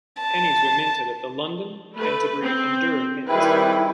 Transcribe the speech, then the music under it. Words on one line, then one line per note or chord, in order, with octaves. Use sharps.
Pennies were minted at the London, Canterbury, and Durham mints.
A5
A3 B4
C4
D#3 G3 C4 E4 G#4 B4